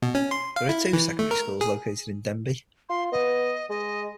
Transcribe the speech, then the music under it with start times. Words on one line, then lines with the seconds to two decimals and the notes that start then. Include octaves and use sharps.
There are two secondary schools located in Denbigh.
0.02 B2
0.15 C#4
0.31 C6
0.56 F5
0.69 E4
0.93 E3
1.19 A3
1.31 A#4
1.61 G#4
2.89 F4 C6
3.12 B3 D#5
3.70 G#3 D#5